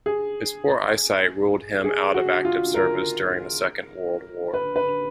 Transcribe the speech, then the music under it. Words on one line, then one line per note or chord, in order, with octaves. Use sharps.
His poor eyesight ruled him out of active service during the Second World War.
G#4
G#4
F#4
F4
A#4
B4
B4